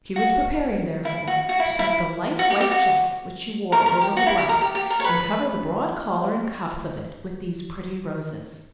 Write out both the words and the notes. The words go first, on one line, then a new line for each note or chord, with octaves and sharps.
She was preparing, therefore, to take the light white jacket which she wore over her blouse, and cover the broad collar and cuffs of it with these pretty roses.
F#4
E4
F#4
F#4
E4
E4
F#4
G4
G4
F#4
A#4
A#4
G4
F#4
E4
G4
A#4
G4
G4
A#4
C#5
B4